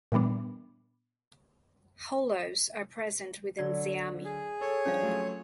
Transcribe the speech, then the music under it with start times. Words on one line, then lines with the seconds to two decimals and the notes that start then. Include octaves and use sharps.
Hollows are present within Zeami.
0.12 A#2 E3 G3 B3 D4
3.59 D3 F#3 D5
4.25 G#4
4.61 A4 C#5
4.85 F3 G3 C#4 D4 F5
5.02 F#3 A3 F4